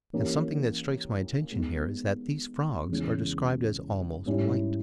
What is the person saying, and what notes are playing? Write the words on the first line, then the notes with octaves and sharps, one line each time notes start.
And something that strikes my attention here is that these frogs are described as almost white.
E3 A#3 C#4 G4
G#3 B3 D#4
E2 C#3 E3 G#3 C#4
G#2 G3 C#4 E4 G4